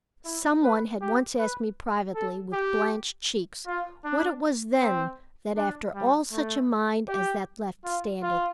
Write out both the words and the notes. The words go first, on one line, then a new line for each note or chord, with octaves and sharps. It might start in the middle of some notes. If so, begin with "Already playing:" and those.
Some one had once asked me privately, with blanched cheeks, what it was then that after all such a mind as that left standing.
E4
B4
G4
B4
A4
G4
F4
D4
C4
D4
G3
A3
G4
F4
F4